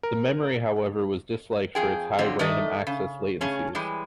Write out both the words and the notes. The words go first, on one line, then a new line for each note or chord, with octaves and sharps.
The memory, however, was disliked for its high random access latencies.
A#4
F2 G#4 G5
D3 F3 F#3 C4
D#3 A3 D#4 D5 D#5
C#3
C#3 A3 C#4 G#4
E3 G3 G#3